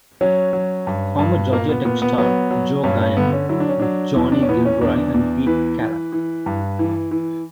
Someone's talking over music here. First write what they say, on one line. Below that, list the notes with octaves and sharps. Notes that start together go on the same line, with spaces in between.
Former Georgia Tech star Joe Guyon, Johnny Gilroy and Pete Calac.
F#3 C#4
F#3
G2
G2
A#2 A#3
B3
A#2 B3
B3
F#3 B3
F#3
G2 C#4
C#4
D3 B3
C#4
F#3 E4
D4
C#4
F#3 D4
E2 E4
D4
C#4
E3 B3
C#4
E2 D4
E2
E3 B4
E3
E3
G2
E3
E3